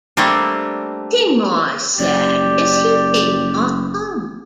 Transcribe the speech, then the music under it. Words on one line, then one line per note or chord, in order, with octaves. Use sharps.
To my sadness he did not come.
G3 A3 A#3 C4 D4
F#1 G4 D5